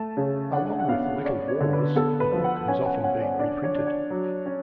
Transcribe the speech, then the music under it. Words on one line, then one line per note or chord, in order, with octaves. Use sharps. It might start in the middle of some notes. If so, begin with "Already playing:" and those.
Along with "Little Wars," the book has often been reprinted.
Already playing: A3 A5
C#3
D4 F#5
F#5
B3 F5
C#4 D5
C#5
D3
B4
B3 A4
B4
F3
F#5
C#4 G#5
F#5
C#4 F#5
D5
D4 D5
C#5
D4
C#5
F#3
C#4